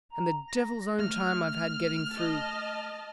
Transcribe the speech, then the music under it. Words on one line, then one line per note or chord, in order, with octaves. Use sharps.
And the devil's own time I've had getting through.
A#5
A#6
A3 F6
D#5 A5